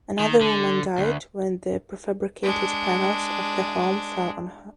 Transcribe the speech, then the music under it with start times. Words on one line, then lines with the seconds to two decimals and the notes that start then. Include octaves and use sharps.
Another woman died when the prefabricated panels of her home fell on her.
0.19 D#3
0.41 D3
0.98 D2
2.43 G#3 D4